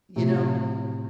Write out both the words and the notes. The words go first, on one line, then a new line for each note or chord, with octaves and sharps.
You know
A2 C3